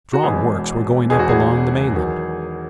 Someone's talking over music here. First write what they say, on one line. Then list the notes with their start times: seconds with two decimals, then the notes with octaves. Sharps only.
Strong works were going up along the mainland.
0.13 F#4
0.23 E1 E2 B2 G#3 G#4
1.10 E1 E2 B2 G#3 G#4
1.19 F#4
1.29 G#4
1.96 E2 D#3 F#3